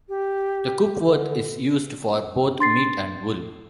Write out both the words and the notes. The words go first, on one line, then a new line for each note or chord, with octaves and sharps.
The Coopworth is used for both meat and wool.
G4
D3
D4 C6 A6 C7